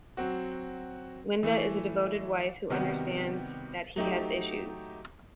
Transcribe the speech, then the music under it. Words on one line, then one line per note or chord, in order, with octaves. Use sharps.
Linda is a devoted wife who understands that he has issues.
F#3 C4 F#4
E3 A3 E4
C3 D#3 G3 B3 F#4
F#3 A3 D#4 G4